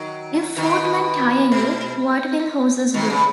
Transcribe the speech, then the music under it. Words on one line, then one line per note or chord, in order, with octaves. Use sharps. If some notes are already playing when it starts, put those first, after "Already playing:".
If Footmen Tire You, What Will Horses Do?
Already playing: D#3 F#3
B2 D#3
B2
B2 D#3
C#3